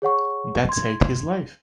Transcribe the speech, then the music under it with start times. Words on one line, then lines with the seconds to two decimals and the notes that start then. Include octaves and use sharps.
That saved his life.
0.02 G#4 C#5 F#5 C#6
0.69 C6 G#6